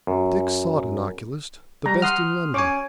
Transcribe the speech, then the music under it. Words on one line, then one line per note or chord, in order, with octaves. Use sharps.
Dick sought an oculist,--the best in London.
F#2
G3 A#5
F#5 C6 D#6 F6
C#4 C#5 G#5 D6